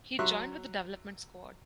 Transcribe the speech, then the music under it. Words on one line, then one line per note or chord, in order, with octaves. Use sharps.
He joined with the development squad.
F#3 E5 C6 C#6 F#6